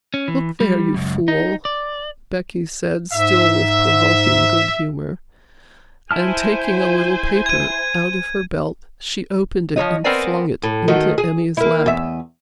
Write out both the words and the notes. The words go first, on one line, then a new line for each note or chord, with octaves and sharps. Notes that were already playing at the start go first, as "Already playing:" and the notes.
"Look there, you fool," Becky said, still with provoking good humour, and taking a little paper out of her belt, she opened it and flung it into Emmy's lap.
C#4
E3
G3
C#2 F#2
D#4
D5
G#2 E5
E4 C5 G#5 A5 F6
G#6 D#7
F3 A#3 C#5 D#5
B3 C4 A#4 C5 D5 G#5
A2
D#3 A3 F#4
G#4
A#3 E4
E2 E5